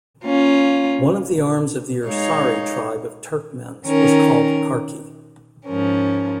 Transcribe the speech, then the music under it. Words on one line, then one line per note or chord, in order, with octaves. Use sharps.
One of the arms of the "Ersari" tribe of Turkmens was called "Karki".
A#3 C#4 F4
G#3 D#4 C#5 F5
D#3 C#4 A#4
G#2 F3 C#4 A#4